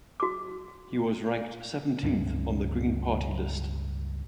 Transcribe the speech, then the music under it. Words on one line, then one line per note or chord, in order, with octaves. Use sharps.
He was ranked seventeenth on the Green Party list.
F#4 D6
C#2 G2 C#4